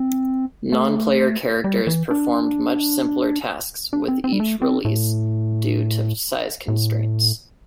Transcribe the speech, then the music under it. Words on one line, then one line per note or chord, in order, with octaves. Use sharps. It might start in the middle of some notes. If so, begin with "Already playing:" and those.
Non-player characters performed much simpler tasks with each release due to size constraints.
Already playing: C4
A3
G3
E3
D4
D4
C4
C4
G3
A3
C4
A2
A2